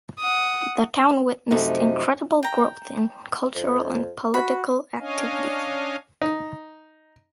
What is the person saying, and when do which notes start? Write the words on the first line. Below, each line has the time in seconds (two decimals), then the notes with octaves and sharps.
The town witnessed incredible growth in cultural and political activities.
0.19 F#5 D#6
1.51 F#2 C3 F3 A3 D#4
2.43 G5 A#5
3.55 F2
4.34 F#4 B5
4.99 C#4 D4 C#5 D#5 F5 G#5
6.21 D#4